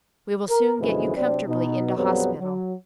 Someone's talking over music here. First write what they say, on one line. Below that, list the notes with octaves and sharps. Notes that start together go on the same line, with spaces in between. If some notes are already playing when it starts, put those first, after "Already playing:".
We will soon get you comfortably into hospital.
A#4
F#2 B2 D3 E3 F3 G#3
C3 F#3 C4 D4
B2 D#4
A#1 F2 F#3 G3 B3
F#3